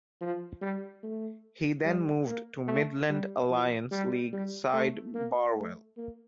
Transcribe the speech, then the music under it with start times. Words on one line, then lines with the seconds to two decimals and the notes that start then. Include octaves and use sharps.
He then moved to Midland Alliance league side Barwell.
0.21 F3
0.61 G3
1.03 A3
1.84 G3
2.26 A#3
2.67 A3
3.09 G3
3.49 F3
3.91 G3
4.33 G3
4.73 A3
5.14 A#3
5.56 A3
5.97 A#3